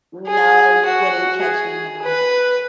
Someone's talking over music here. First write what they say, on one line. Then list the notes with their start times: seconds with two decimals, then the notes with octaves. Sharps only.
No, you wouldn't catch me, no.
0.27 G#4
0.85 F#4
1.43 G#4
2.02 B4